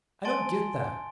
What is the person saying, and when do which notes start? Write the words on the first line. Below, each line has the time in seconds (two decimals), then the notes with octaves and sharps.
"I don't get that."
0.25 G#5 A5 C6 A6 D7 G7